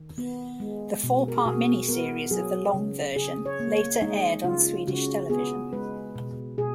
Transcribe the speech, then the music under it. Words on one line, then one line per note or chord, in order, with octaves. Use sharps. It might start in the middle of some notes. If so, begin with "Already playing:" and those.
The four-part miniseries of the long version later aired on Swedish television.
Already playing: D#3
B3
G#3
B2
A#4
G#4
B2 F#4
B3 A#4
F#3 G#4
C#3
C#3 G#4
C#5
A#3
C#5
G#3 D#4
C#3 F4
C#3 F#4
B3 G#4
G#3 B4
B2
B2 G#4